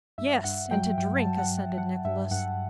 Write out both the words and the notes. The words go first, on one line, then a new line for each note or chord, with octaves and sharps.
"Yes, and to drink," assented Nicholas.
G2 E5
G2 F#5
F#3 G5
G2 G5
A5
F#3
F#5
G2
F#5
F#3 F#5
G2 E5
G2 F#5